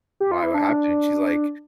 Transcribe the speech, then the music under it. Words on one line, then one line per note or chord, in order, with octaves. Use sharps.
why, what happened?" and she's like,
G4
F4
E4
D4